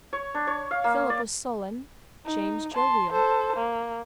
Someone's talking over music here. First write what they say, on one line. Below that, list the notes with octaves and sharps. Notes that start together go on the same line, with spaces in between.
Philip was sullen, James jovial.
C#5
D4
C#5
F5
A#3
D5
D#4
A5 C6
A4 C5
A#3